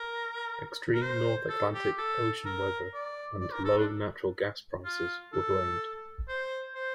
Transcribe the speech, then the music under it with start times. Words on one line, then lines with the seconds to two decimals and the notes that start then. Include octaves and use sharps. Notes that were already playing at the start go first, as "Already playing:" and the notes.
Extreme North Atlantic Ocean weather and low natural gas prices were blamed.
Already playing: A#4
0.94 A#4
1.02 C5
1.49 A4
1.74 G4
1.98 A4
2.45 A#4
2.94 D5
3.41 D5
3.52 A#4
3.65 A4
3.77 D4
4.85 F4
5.33 A4
6.28 C5
6.75 C5